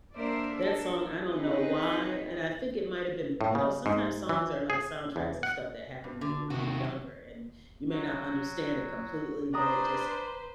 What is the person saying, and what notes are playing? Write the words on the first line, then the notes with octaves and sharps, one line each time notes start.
That song, I don't know why, and I think it might've been you know, sometimes songs are, like, soundtracks of stuff that happened to you when you were younger, and you may not understand it completely, but it just
A#3 D4 A#4 C5 D5 E5
D4 A4 A#4
C4 D#4 G#4 B4 D#5
A2
C#3
G#2
E3
G#4
E2
F#5
G2
D3
C3 D#3 F#4
F#3
F#3
D4 B4 C5 A#5 D#6